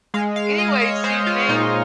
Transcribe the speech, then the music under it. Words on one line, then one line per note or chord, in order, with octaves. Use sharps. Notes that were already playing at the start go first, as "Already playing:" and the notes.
anyways, do you think
G#3 F5
F5
G#3 D#5
C#5
G#3 C5
F4
A#2 D#4